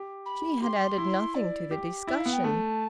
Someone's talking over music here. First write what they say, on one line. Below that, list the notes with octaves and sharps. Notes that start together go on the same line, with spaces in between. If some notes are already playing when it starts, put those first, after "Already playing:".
She had added nothing to the discussion.
Already playing: G4
B5
G4 C6
E4
D5
G4
E4 E5
F5
B3
G5
A3 A5